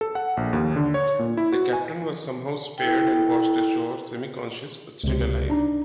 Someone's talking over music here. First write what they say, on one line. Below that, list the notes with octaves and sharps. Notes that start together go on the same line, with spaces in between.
The Captain was somehow spared and washed ashore semi-conscious, but still alive.
A4
F#5
A#1
D#2
D3
C#5
A#2
E4
F#4
G#5
E4 A4 G5
C#2 C3
D4 D#4 A#5